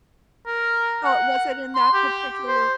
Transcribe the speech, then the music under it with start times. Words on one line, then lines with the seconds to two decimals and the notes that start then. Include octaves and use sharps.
Oh, was it in that particular
0.47 A#4
1.05 F#5
1.75 C6
1.94 G4
2.47 C5